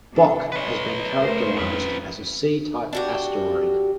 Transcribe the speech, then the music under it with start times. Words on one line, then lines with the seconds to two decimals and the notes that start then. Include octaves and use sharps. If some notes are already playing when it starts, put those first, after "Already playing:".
"Bok" has been characterized as a C-type asteroid.
0.12 C3 D4 A4
0.52 B4 C#5 D#5
1.18 A3 A#4 C5
1.57 F2 C#4 B4
2.93 D4 F#4 G4